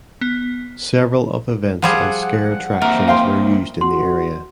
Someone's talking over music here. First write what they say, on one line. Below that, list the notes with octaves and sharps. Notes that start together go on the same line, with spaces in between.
Several of events and scare attractions were used in the area.
B3
F3 G3 G#4 F#5
A#3 C4 A#4 E5
F5 G5 C6
F#4 C6